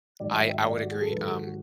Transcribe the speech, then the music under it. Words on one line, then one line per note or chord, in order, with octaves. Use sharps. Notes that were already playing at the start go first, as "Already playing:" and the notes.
I I would agree. Um,
G#1 G#2 F#3 D5
E5
E5
D5
F#4
G#4
A4
G#1 G#2 F#3 B4
A4
F#4
F#4